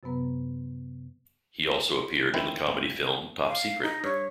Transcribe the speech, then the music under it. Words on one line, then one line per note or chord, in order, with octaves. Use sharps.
He also appeared in the comedy film Top Secret!
F#2 C3 F#3 B3 B4 A#5
D#3 C4 E4
G1
F5
D#4
G2 C#5